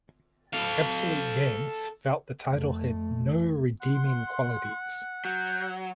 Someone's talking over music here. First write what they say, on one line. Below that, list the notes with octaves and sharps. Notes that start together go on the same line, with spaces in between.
Absolute Games felt the title had no redeeming qualities.
A4 F5
F2 A3
F#5 C6
F#3 F#5 G6